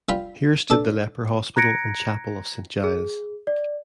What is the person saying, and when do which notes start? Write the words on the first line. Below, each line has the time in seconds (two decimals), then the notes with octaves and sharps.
Here stood the leper hospital and chapel of Saint Giles.
0.09 G3 F4 B5
0.70 D4 A4
1.56 A#5 F#6 G#6 A#6 C#7 D7
2.84 G#4
3.47 D5